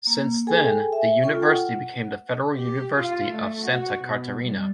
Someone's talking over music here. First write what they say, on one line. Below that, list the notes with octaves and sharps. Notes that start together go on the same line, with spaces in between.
Since then the university became the Federal University of Santa Catarina.
A#3
G#4 A4 G5 G#5
E5
F4 A4 G5 C#6
F#5
G4
F4
A3
F#4
B2
G3